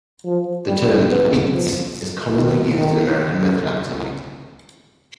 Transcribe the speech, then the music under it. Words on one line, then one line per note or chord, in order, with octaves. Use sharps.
The term "beats" is commonly used in American method acting.
F3
G3
B3
F3
D#3
D#3